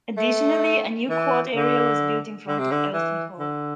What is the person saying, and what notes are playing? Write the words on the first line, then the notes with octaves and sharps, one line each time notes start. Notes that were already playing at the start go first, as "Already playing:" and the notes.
Additionally, a new quad area was built in front of Elston Hall.
A3
E3
D3
D3
C3
D3
E3
D3